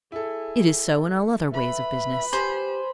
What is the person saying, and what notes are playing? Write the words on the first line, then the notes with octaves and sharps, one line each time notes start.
It is so in all other ways of business.
E4 G#4 A4
B4 E5 B5
G4 C5 G#5